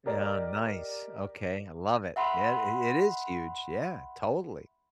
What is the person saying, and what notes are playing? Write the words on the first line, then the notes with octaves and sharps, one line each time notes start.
Yeah, nice, okay, I love it. Yeah, it it is huge, yeah, totally.
G4 A#4 D5 D#5
E5 F#5 B5 C6